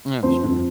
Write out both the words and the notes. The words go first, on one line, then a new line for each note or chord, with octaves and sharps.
Oh, sure.
F2 C5 C6
F2